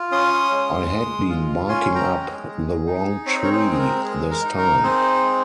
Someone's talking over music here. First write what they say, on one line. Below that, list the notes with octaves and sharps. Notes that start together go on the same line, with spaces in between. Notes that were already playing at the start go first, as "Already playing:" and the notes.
I had been barking up the wrong tree this time.
Already playing: F4
C#4 C6 D#6
G#3
G#3
F4
C#4 G#5 C6
G5 A#5
G#3
G#4
D#4
C4 C#5
D#5
A#4 C#5
G#4 C5
G#3
G#4
A#4
G#4
A#4
D#4
A#4
C4 G#4 C5
G#3